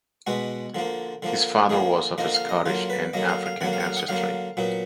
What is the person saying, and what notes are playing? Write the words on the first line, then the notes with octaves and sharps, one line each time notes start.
His father was of Scottish and African ancestry.
B2 G#3 B3 F#4
D3 F3 A#3
D3 F3 A#3
D3 F3 A#3 G#4
D3 F3 A#3 D#5
F5
D#5
D3 F#3 A#3 F4
B4
D3 F#3 A#3 D#5
F5
F5
D3 F#3 A#3 F#5
F5
F#5
F5
F#5
D3 F#3 A#3 F5
A#2 F#3 B3